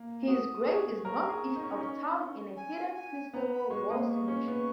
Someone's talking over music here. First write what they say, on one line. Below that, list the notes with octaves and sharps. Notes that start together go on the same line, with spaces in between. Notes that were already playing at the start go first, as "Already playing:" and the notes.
His grave is northeast of town in a hidden pre-Civil War cemetery.
Already playing: A#3
F#4 D#6
G#4 C#6
A#4 C#6
G#4
D#4
C#4
D#4
C#4
G#5
G#5
B3 A#5
B5
G#3 C#6
A#3 D#6
C#6
C#4
B3